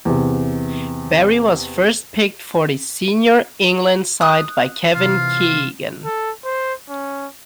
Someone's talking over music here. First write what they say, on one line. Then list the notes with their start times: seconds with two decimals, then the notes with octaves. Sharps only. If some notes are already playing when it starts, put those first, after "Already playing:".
Barry was first picked for the senior England side by Kevin Keegan.
0.05 E2 C3
4.21 D#6 F#6
4.94 C3 E3 F4
6.05 A4
6.45 C5
6.89 C#4